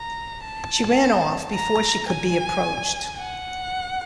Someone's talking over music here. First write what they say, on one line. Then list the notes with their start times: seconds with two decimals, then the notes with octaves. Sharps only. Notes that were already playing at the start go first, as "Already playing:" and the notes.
She ran off before she could be approached.
Already playing: A#5
0.45 A5
1.54 A#5
2.08 G#5
3.18 F#5